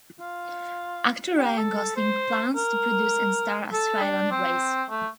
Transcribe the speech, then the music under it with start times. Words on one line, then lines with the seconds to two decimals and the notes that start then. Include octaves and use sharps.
Actor Ryan Gosling plans to produce and star as Ryland Grace.
0.20 F4
1.38 G4
1.58 A4
1.77 A4
1.96 C5
2.56 A#4
3.73 A4
4.01 D4
4.31 C4
4.90 A3